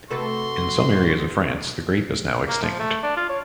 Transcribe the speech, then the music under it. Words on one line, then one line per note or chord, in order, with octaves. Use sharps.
In some areas of France the grape is now extinct.
C3 A3 F#4 A4 B4 C6
A#3
F3
A3
D4
F4
C#5